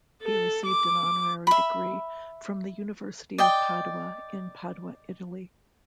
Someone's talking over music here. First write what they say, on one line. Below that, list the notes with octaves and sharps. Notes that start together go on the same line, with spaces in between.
He received an honorary degree from the University of Padua in Padua, Italy.
A4
D6
E5 B5
D5 D#5 G5